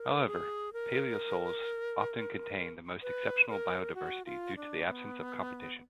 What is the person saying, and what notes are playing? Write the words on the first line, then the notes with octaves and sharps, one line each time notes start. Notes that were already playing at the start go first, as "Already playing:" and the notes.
However, paleosols often contain the most exceptional biodiversity due to the absence of competition.
Already playing: A#4
G#4
A#4
B4
A#4
F#4
F4
D4
B3